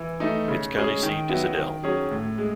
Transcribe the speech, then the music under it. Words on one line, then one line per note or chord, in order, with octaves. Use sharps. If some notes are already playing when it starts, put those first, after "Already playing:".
Its county seat is Adel.
Already playing: E3
A3 D#4
C#3
G#3 C#4 G#4
D#3
F#3 B3 E4
D#3
F#3 C#4 G#4
A2
G#3